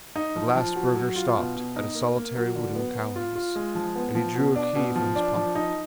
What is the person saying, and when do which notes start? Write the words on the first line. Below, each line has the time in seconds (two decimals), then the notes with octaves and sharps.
At last Burger stopped at a solitary wooden cow-house, and he drew a key from his pocket.
0.16 D#4
0.36 F3
0.55 F3
0.76 F#3
0.95 F#3
1.16 F4
1.36 B2
1.56 B2
1.76 D#4
1.95 A#3
2.16 A#3
2.36 F#3
2.56 D3
2.75 B3
2.96 B3
3.16 F4
3.35 F4
3.56 G#3
3.75 F3
3.96 B3
4.15 F3
4.35 B2
4.56 D4
4.75 B2
4.95 F3
5.16 D4
5.36 F3
5.55 D#4